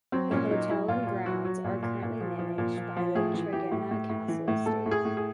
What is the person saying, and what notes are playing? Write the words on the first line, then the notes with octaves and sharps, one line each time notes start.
The hotel and grounds are currently managed by the Tregenna Castle Estate.
F#3 C4
A#2 C#4
F#3 D#4
F#3 E4
A#2 F4
A#2
F#3 F#4
F#3
A#2
A#2
A#2
F3
F3
A#2
F3
F3
A2 G#4
E3
E3 G4
A2
A2
A2
E3
A2
A2 A4
A2
G#4
A2
G#4